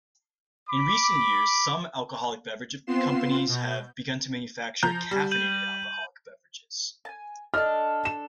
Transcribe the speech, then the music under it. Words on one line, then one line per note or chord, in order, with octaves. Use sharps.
In recent years, some alcoholic beverage companies have begun to manufacture caffeinated alcoholic beverages.
B5 D6
B3 C4 F4 C6 C7 E7
B2 G6
F3 A#5 G6
G3
G6 D#7 F#7
G#5 A5
D4 A4 D#5 A5 F6
E7